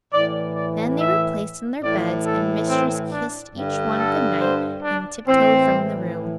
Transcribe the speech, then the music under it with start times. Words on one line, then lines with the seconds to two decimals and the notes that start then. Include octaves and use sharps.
Then they were placed in their beds and Mistress kissed each one good night and tiptoed from the room.
0.12 A2 E3 D5
0.54 D5
0.98 E5
1.82 A2 E3 D5
2.26 A4
2.69 C4
3.12 D4
3.54 G2 D3
3.97 A4
4.40 C5
4.83 D4
5.26 A2 E3 C4